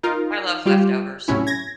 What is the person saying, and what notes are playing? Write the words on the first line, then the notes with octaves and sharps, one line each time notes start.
I love leftovers,
D#4 F4 A#4
G3 F4 G4
A2 C3 F#3 C#4 E4
G#6 A#6